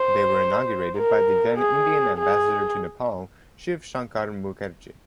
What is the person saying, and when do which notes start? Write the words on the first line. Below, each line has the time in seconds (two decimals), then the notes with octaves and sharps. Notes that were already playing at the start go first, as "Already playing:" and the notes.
They were inaugurated by the then Indian ambassador to Nepal Shiv Shankar Mukherjee.
Already playing: C5
0.97 A#4
1.58 G#4
2.18 G#4